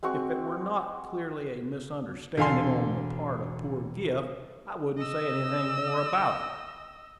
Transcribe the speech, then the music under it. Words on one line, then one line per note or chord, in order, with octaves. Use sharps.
"If it were not clearly a misunderstanding on the part of poor Griff, I wouldn't say anything more about it."
G#3 C4 F#4 C#6
E1 D3 F5 G#5 C6
D#5 E6